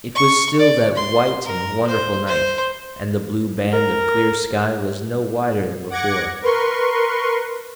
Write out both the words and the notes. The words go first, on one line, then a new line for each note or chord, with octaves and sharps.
It was still that white and wonderful night, and the blue band of clear sky was no wider than before.
C#6
D5
C6
A#4
C5
C5
A#4
F#5 D6 G#6 A#6 C#7
A#4 B4 C6 C#6